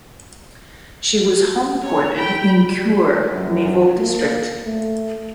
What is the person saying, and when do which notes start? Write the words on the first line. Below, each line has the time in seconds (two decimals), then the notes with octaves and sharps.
She was homeported in Kure Naval District.
1.82 C#5
2.16 G5 B5
2.67 G3
3.34 F#2
3.95 A#3
4.65 A3